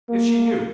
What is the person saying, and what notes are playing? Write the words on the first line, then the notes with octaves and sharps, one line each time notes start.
If she knew!
A#3